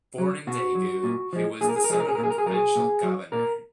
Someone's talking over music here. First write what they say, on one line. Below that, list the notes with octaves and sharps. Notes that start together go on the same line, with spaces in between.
Born in Daegu, he was the son of the provincial governor.
F#3
B2 F#4
F#3
A#2
F3 G#3
A#2 G#4
A#4
G#4
A#4
F3 G#3 G#4
A#4
G#4
A#4
A#2
G#4
A#4
G#4
F#3 A#4
G#4
A#2
F#3
A#2 A#4